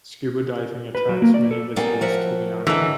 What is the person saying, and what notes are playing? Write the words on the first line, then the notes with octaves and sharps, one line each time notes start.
Scuba diving attracts many visitors to the island.
B4
F#3
A#3
D5
A4
F#3 G3 A#3 B3 F5 G#5
F3 A#4 E5 F#5
D3 E3 F#3 G#3